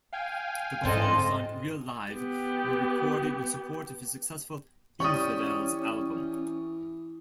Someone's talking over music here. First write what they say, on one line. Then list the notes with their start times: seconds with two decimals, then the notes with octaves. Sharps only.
The performances on "Real Live" were recorded in support of his successful "Infidels" album.
0.13 F5 G5 G#5
0.84 G#2 D3 G#3 C4 A4 D#5
2.12 B3 G4
5.00 E3 C#4 G4 D5 G5 C#6 D#6